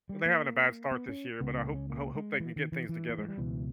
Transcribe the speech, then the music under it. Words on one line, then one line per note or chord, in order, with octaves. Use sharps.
They're having a bad start this year, but I hope ho hope they can get things together.
G3
A#3
B3
C#4
C#2 C#3 B3
A#3
C#4
A#3
G#3
E3
D#3
E3
E3
A#3
G#3
G3
C#2 B2 E3